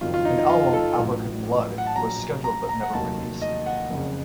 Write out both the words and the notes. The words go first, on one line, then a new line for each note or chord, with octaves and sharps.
An album "African Blood" was scheduled but never released.
F#1 F2 D#3 F#3 F4
F4
D#4
D#4
F4
A4
A1 A2 F#3
F#5
A5
A#1 A#2 F#3 A#5
A#5
A#5
F#5
F1 D#2 D#3 F#3 A5
D#5
F#5
F#1 F2 C#3